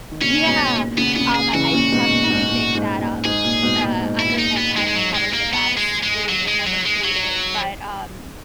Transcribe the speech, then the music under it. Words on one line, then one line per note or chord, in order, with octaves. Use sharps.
Yeah. Um, I I definitely think that, um, uh, Ocarina of Time is probably the best video game ever created. But, um,
D#3
A#2 C#3 C#4
G#2 B2
A#2
A#2 C#3 B3
A#2 C#3 B3
G#4
C#3 E3 F#4
A#2 C#3
G#2 B2
A#2
G#2
A#2
G#2
A#2
G#2 G#4
A#2
G#2 B2
A#2
G#2
E4
A#2
D#4
A#2
B3
G#2 G#3
G#3
F#3
G#3
A#3
B3
G#3
G#3
F#3
G#3
F#3
G#3
F#3